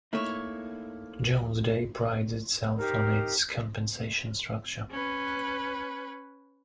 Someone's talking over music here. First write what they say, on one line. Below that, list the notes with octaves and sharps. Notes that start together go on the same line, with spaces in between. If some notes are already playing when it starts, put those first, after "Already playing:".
Jones Day prides itself on its compensation structure.
A3 A#3 D#4 E4 C#5
D#4 G4 A#4 C5
C#4 B4